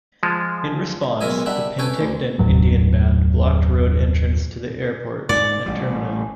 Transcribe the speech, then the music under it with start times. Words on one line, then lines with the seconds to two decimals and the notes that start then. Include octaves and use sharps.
In response, the Penticton Indian Band blocked road entrance to the airport, and terminal.
0.23 F3 G#3
1.21 B1 G#3 A#4 E5 G#5 D#6
1.46 G3 D4 E5 F#5
1.79 C#4 A4 B4 C#5 G5 G#5
2.01 D2
2.39 F#1 D#2 A2 F#3
5.29 G#2 D5
5.66 A1 G3